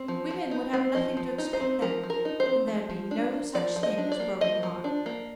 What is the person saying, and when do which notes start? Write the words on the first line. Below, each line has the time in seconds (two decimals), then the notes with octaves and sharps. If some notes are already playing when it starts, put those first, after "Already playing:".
Women would have nothing to expect then, and there'd be no such thing as broken hearts.
Already playing: C4
0.08 F3
0.31 F3
0.51 D#4
0.73 C4
0.95 F3 D#5
1.17 F3
1.38 D#4
1.53 C5
1.60 C4
1.82 F3 A#4
2.03 F3
2.10 A#4
2.25 D#4
2.40 C5
2.46 C4
2.68 F3
2.90 F3
3.11 D4
3.33 A#3
3.55 F3 D5
3.76 F3
3.83 D#5
3.98 D4
4.12 D5
4.20 A#3
4.41 F3 D#5
4.63 F3
4.84 D4
5.06 A#3